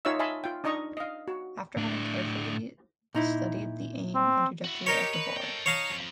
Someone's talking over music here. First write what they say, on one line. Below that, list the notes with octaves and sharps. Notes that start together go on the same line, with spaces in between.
After having carefully studied the aim and trajectory of the bullet.
D#4 F4 C#5 E5 F5 E6
D#5 E5 G#5 A5 B5 C6
F4 G5
D4 D#4 D#5 A#5 C#6 D#6
D#5 F5
F#4
A2 D4
A#2 D#4 E4
C4
E4 F#4
D#4 G4 A#4 C#5
B4
A4 G5
D#4 C#5 F5 A5
F2